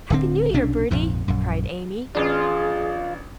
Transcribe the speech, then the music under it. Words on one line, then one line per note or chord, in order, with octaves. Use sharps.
"Happy New Year, Bertie," cried Amy.
D1 D3 C4
B1 C3 C#4 D4
A#1 F2 G#2
A#1 F#2
A1 D4 F4 G#4